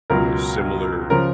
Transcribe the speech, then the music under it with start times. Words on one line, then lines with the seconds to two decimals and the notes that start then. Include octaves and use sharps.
you know, similar
0.10 C#2 B2 F#3 A#4
1.10 C#3 F3 A#4